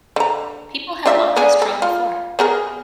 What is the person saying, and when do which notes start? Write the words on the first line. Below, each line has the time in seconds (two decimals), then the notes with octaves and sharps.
People have walked this trail before.
0.16 D3 A#5
1.06 D4 F4 E5
1.36 B3 D4 G#4
1.62 A4
1.82 F4
2.39 B3 G#4 A#4